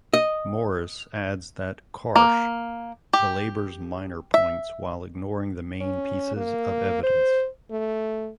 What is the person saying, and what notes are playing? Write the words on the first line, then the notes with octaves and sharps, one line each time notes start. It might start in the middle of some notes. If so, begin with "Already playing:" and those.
Morris adds that Karsh belabors minor points while ignoring the main pieces of evidence.
D#5
A#3
G4
E5
C#4
A#3
C5
A3